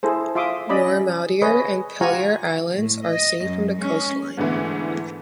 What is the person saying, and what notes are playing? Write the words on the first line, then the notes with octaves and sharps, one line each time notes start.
Noirmoutier and Pilier Islands are seen from the coastline.
E4 G#4 A4 C5
F4 E5 C6 D6 D#6
C#4 D5 D#5 B5
G#4 B4 C#5 D#5
F4 G4 F#5 G#5 A#5 C#6
A2
D#5
F#2
G#3 C#4
G#2 D3 E3 A3 B3 E4